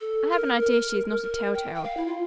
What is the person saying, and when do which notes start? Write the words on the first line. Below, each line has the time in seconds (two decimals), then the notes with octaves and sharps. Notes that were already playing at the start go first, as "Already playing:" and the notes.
I have an idea she is not a telltale.
0.01 A4
0.31 A#4
0.61 A#4
1.23 A#4
1.54 G5
1.75 G5
1.84 F5
1.97 E4
2.06 F4